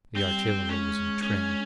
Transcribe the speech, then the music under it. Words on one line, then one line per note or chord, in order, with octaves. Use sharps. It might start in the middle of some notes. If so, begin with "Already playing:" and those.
The artillery was in trim.
G3 C4
G#3 C#4
C#4